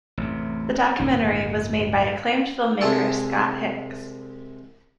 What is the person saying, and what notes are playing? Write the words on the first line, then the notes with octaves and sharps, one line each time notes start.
The documentary was made by acclaimed film-maker Scott Hicks.
A1 E2 C3
D1 G1 C#3 A#3
C2 G#3 E4 G#4 A4 C#6